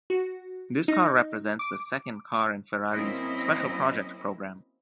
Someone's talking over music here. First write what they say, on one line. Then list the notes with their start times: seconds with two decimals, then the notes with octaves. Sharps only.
This car represents the second car in Ferrari's Special Project program.
0.10 F#4
0.88 D#4
1.59 D6
2.93 F#3 A#3 C4 C#4 E4 D#5